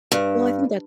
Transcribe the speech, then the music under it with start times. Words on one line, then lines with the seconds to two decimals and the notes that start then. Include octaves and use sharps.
Well, I think that
0.12 G2